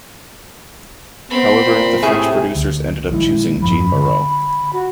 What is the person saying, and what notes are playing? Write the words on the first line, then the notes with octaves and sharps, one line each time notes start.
However, the French producers ended up choosing Jeanne Moreau.
B3 C4 B5
A#2
A2 C3 E4 G#4
D2
A#1 D#3 G#3 E4
E2 G2 F3 B5
D3
F#4